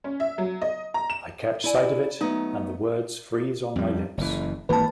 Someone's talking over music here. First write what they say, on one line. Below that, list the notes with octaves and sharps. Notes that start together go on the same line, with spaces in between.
I catch sight of it, and the words freeze on my lips.
C#4
E5
F#3
D#5
A#5
E7
E4 D5 G#5
F#3 A3 B3 D#4
F2 G3
F#1 E3
G#1 E3 A#3 B4 A5